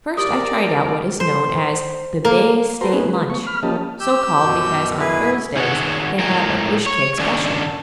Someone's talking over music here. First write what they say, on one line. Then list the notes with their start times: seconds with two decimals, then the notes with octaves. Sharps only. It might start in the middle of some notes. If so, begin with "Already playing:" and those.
First, I tried out what is known as the Bay State Lunch, so called because on Thursdays they have a fishcake special.
0.17 G4 A#4 D5 D#6
1.20 C5
2.25 A#3
2.81 F#4 A4 B4 C5 A#5 C6
2.93 A#3 B3 C#4 D#4 G#4 B4
3.08 G#3 B4
3.30 A3 B3 C#6
3.47 B5 F6
3.63 F3 A#3 C#4 G4 D#5 A5
4.00 G4 E6 G6
4.43 F#2 B2
5.00 E4 G#4 B4
5.56 D#3 G#4 A4 C#5 F#5
6.19 A2 G#3 A#4 G5 G#5
6.86 C#5
7.19 G2 D3 D#3 C#4 D4 F#4